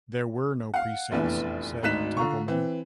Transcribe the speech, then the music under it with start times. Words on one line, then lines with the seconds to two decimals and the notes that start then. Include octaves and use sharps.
"There were no presets," said Templeman.
0.74 F5 F#5
1.11 F1 A#1 E2 E3
1.83 G#1 D2 D#4 F#6 B6 E7
2.17 D3 F4 A#5 C#6
2.48 E3 C4